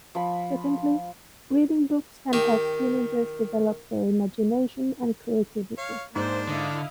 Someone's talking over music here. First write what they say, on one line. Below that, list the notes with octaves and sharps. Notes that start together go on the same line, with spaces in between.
Secondly, reading books can help teenagers develop their imagination and creativity.
F3 B5
D#3 G4
C#5 F5
G#2 A#3 D4 G#4 C5 D5
D3 E4 D#5 F5